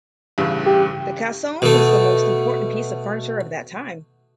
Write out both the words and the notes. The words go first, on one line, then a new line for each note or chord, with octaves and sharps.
The cassone was the most important piece of furniture of that time.
A1 G2 C#3
G4
B2 A3